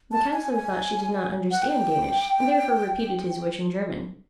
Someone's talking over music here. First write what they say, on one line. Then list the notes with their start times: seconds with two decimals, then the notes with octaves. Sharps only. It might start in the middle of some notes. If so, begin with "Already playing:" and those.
The Councillor thought she did not understand Danish, and therefore repeated his wish in German.
0.12 A5
0.34 G#5
0.56 G#5
1.51 F#5
1.62 G5